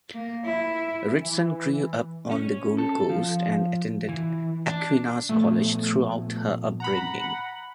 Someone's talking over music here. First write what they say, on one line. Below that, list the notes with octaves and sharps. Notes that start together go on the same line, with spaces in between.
Ritson grew up on the Gold Coast and attended Aquinas College throughout her upbringing.
A#3
E4
E3
C#4
A4
F3
E3
D4
A#2 F3 A3 B3
F#5 A#5 B5